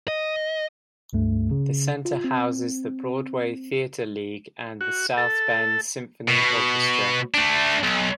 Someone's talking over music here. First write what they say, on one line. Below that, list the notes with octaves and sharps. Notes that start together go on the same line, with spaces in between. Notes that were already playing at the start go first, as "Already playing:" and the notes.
The center houses the Broadway Theater League and the South Bend Symphony Orchestra.
D#5
C#2 G2 A3
C#3
F4
C4
F#4
A4
B2
A3 D4
B1